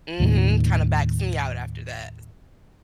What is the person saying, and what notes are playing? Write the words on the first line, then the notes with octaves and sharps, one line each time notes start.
Mhm. Kinda backs me out after that,
D#2 A2 D#3